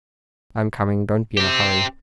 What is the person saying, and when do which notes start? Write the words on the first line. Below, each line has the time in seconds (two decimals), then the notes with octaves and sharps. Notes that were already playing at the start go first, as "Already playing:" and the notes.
I'm coming; don't be in a hurry.
1.37 C4 G4